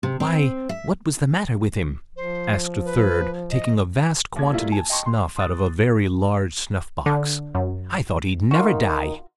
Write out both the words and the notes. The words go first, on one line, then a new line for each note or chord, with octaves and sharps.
"Why, what was the matter with him?" asked a third, taking a vast quantity of snuff out of a very large snuff-box. "I thought he'd never die."
C3
C4
E5
F3 C5
B4
D#5
D#2 G#6
G3 A3 A#3 D4 E4 F4
G#5 A5
D#5 G5 A5 C6 C#6
C6
C6 D6 D#6 F#6 A6
D3
F#2
D#3 D#4 F4 F#4